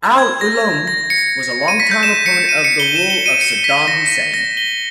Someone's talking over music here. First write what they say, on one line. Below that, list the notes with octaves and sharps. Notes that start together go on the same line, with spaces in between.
Al-Ulloum was a longtime opponent of the rule of Saddam Hussein.
G#6
A#6
A#6
C#7
D#7
B6
G6
E7
C#7
D#7
C#7
G7
E7
G7
D#7
C#7
B6
A#6
A#6
G7